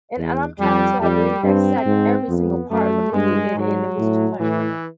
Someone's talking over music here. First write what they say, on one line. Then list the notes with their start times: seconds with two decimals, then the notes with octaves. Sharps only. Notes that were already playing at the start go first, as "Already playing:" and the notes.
and and I'm trying to, like, literally dissect every single part of the movie and and it was too much for me.
0.18 E2
0.59 F2 G3
1.01 F2 G3
1.44 G2 C4
1.86 G#2
2.28 F2 B3
2.70 F#2 A3
3.13 G2 G#3
3.56 G#2 F#3
3.98 A2
4.39 A2 E3